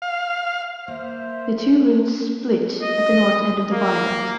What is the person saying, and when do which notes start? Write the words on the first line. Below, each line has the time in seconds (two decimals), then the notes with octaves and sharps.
The two routes split at the north end of the viaduct.
0.02 F5
0.88 A#3 C5 E5
2.82 D#5
3.72 A#3